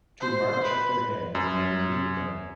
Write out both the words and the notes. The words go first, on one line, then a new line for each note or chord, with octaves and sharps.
To march at their head and lead them.
C5
B4
F#2